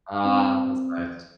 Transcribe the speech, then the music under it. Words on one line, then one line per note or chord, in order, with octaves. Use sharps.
Ah, that's nice.
C4